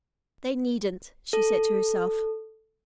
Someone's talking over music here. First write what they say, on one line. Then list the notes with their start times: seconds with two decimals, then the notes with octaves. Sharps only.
"They needn't," she said to herself.
1.33 A4